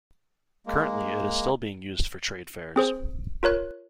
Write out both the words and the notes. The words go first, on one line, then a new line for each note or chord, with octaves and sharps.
Currently it is still being used for trade fairs.
G#3 A#3
C4 G#4 C5
F4 A#4 C#5 F#6